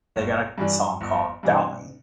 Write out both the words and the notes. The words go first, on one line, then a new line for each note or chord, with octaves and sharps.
they got a song called Doubt Me.
G1
G2 E3 G3 D4
G1
G2 E3 G3 D4